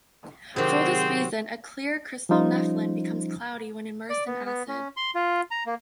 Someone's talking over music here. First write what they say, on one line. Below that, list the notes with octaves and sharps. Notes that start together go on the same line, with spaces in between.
For this reason, a clear crystal of nepheline becomes cloudy when immersed in acid.
C3 D#3 F#3 C4 F#4 G#4 C5
F3 G3 C#4 D#4 F4 C5
D5
B3
B3
C#4
C6
F4
A#5
A#3